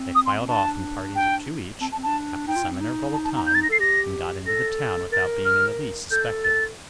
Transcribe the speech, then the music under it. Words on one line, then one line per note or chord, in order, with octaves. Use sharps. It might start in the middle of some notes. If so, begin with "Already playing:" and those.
They filed off in parties of two each, after some interval of time, and got into the town without being in the least suspected.
Already playing: C4
D#6
C6
C4
D4 A5
G5
C4 A5
A5
C4
D4 A5
D#4 G5
F4
D#4
C4
D#4
A5
A5
A#5
G6
A6
A#6
A4 C7
G4 A#6
A4 A#6
A#4 A6
F6
A4 G6
A6